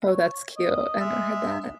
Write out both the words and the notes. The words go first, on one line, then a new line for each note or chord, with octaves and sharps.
Oh, that's cute. I never heard that.
C#5
D#5
G#3 E5